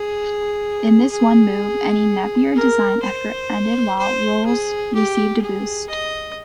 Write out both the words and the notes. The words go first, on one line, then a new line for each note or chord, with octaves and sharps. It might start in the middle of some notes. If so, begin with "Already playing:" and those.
In this one move any Napier design effort ended while Rolls' received a boost.
Already playing: G#4
G#4
A#4
C5
C5
G#4
G4
G#4
D#5